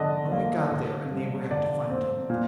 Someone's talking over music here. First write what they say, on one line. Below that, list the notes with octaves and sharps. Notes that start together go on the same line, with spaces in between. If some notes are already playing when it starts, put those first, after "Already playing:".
When we got there, a neighbor had to find him.
Already playing: D3 D5 D#5
A#3
D3
G3
D3 D5
C4
A#2